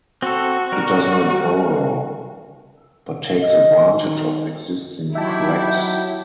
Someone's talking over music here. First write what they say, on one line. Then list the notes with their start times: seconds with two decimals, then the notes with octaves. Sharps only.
It does not burrow but takes advantage of existing cracks.
0.22 C4 F#4 A4
0.72 G3 A#4
3.39 D#5
3.92 D#3
5.15 F#3 D#4 E4 G4 E5 G5 A5